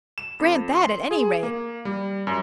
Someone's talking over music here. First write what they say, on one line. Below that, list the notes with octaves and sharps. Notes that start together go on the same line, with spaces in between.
Grant that at any rate.
E7
F2
C6
G#4
A#3
G3
F#2